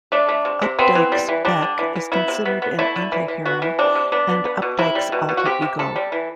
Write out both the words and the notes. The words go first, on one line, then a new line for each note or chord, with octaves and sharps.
Updike's Bech is considered an antihero, and Updike's alter-ego.
A3 D4
A3
C3
C3
B3 C4
E3
G3
E3
G3 D4
D3
E3
E3
B3 E4
C3
B3
B3
A3 E4
D3
E3
E3
B3 F#4
E3
C3 D4
C3
B3 D4
B3
B3
B2
C3 E4
G3
B2
B2
F#4
C3 G4
C3
C3 A4
G3
E3